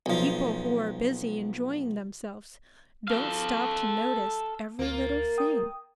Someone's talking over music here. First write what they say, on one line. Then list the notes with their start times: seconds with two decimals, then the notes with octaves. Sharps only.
People who are busy enjoying themselves don't stop to notice every little thing.
0.06 B1 F3
3.08 A4 F5
4.79 D2 A#3 F4
5.38 G5 D#6